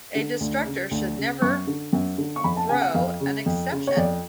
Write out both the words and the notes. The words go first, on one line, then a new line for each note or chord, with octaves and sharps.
A destructor should never throw an exception.
D3
D2
C#3
D2
C#3
F#2 C#6
D3
F#2
D3
C#6
F2 B5
A5
C#3 G#5
F#5
F2 F5
C#3
F2
C#3
C#5
F2 D5